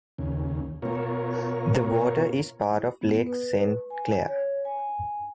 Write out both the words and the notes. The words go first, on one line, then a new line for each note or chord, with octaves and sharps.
The water is part of Lake Saint Clair.
D#2 C#3
B2 F4 A#4 C#5
B3
B4
G#5
C#5
G#5